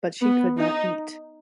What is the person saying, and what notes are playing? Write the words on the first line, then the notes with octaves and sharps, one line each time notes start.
But she could not eat.
B3
D#4